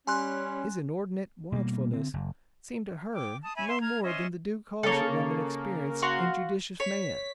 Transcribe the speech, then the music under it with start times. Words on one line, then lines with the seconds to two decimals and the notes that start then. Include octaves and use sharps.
His inordinate watchfulness seemed to her no more than the due caution of an experienced and judicious man.
0.07 G3 C#4 G#5 C6 F#6
1.52 B2 G3 A#3
1.93 D3 C4
2.14 F#1
3.13 G5 D6
3.43 A5 D#6
3.56 C#5 E5 G#5 B5
3.68 E5 C6
3.81 A#5 F6 G#6
4.03 C#4 C5 D#5 E5
4.83 C#3 A#3 A4 C#5
6.02 F#4 F5 C6
6.80 C#5 B6